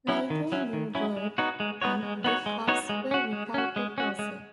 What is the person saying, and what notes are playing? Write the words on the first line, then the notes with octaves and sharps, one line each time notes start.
Neither move worked, and the Cubs were without a closer.
F#3 C#4 E4
D#3
F#3 C#4 E4
D#3
F#3 C#4 E4
G#3
B3 D#4 F#4 C#5
G#3
B3 D#4 F#4 C#5
G#3
B3 D#4 F#4 C#5
G#3
B3 D#4 F#4 C#5
G#3
C#4 F#4
G#3
C#4 F#4
G#3
C#4 F#4
G#3